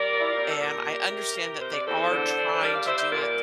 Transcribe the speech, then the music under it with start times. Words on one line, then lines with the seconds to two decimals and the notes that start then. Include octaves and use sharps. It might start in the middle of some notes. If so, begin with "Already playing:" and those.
and I understand that they are trying to do it
Already playing: G3 A#4 D5
0.11 A#2
0.20 E4
0.31 F4
0.36 C4 G4
0.50 A4
0.60 A#2 G4 A#4
0.85 G3
1.10 C3
1.35 C3
1.61 C3 C5
1.74 D5
1.86 E2 A4 C5
2.12 D3
2.36 D4
2.52 C5
2.61 G3 A#4 D5
2.73 D5 F5
2.86 G3 C5 E5
2.98 C5 E5
3.11 A#2 A#4 D5